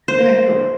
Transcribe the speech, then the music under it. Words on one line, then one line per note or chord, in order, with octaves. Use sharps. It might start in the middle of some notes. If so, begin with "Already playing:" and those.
yeah, you're right.
C5